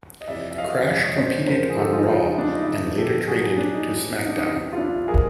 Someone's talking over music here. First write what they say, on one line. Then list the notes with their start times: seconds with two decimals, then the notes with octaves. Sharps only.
Crash competed on Raw and later traded to SmackDown!
0.21 D#5
0.28 F2 C3 E3 D5 E5
0.51 E5
0.58 D#5 F5
0.88 F2 C#3 F3 G#3 D5 E5
1.03 C#5 D#5
1.18 C5 D5
1.47 F2 D3 F3 A#4 C5
1.70 G#4
1.78 G4 A4
1.93 D#4 F4
2.07 E2 C#3 F3 G#3 D#4 F4
2.22 D#4 F4
2.38 D4
2.53 D#4
2.61 E4
2.68 F2 D3 F3 D#4
2.98 G4 A4
3.28 A#2 F#3 F#4 G#4
3.58 D4
3.73 D#4
3.88 A2 E3 G3
4.18 D#4
4.29 D4
4.38 D#4
4.49 E2 C3 E3
4.73 F4
4.78 D4 E4
5.08 A#2 F3 G#3 G#4 A#4